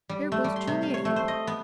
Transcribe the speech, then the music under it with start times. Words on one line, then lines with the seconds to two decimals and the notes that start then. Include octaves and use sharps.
There goes Julia in.
0.09 G3
0.32 A3
0.44 G3
0.56 C6
0.67 C3
0.83 F5
0.94 C#5
1.05 A3
1.16 C5
1.28 D#5
1.47 B3